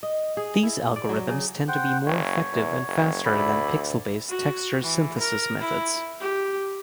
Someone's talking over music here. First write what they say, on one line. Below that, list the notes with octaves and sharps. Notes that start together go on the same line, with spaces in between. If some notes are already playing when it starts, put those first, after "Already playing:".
These algorithms tend to be more effective and faster than pixel-based texture synthesis methods.
D#5
G#4
E4
D5
F#3
C#3
C5 F#5 G5
F#1 C#5
E2
F#1
D2 E4 D5 B5
F#4
E3
A#4
E4
G4